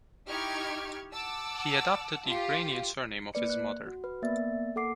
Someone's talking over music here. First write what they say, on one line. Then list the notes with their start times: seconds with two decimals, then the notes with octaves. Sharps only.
He adopted Ukrainian surname of his mother.
0.29 D#4 E4 G4 C#6 F6 G#6
1.11 F#5 A5 D6 E6
2.27 F4 G4
3.34 A#3 B4 D5 C#7
3.50 F#6
3.87 F#4
4.04 B4
4.22 A#3 B3 D5 E5 A6
4.75 A#3 A4 F#5 D6 C7